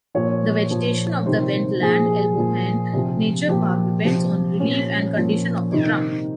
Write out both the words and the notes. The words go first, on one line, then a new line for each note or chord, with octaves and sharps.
The vegetation of the Wendland-Elbhöhen Nature Park depends on relief and condition of the ground.
A#2 F3 C#5
A#2 F3
C3 D#3 C5
A#2 F3 G#4
A#2 F3
C3 F3
A#2 F3 G4
C3 F3
A#2 F3 C#4
A#2 F3
C3 D#3 D#4